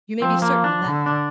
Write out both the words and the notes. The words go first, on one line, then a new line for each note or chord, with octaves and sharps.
You may be certain of that.
F3 C4
A#3
D4
D3
D4